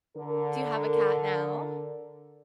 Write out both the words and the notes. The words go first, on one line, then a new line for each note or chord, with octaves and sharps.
do you have a cat now?
D3 A#4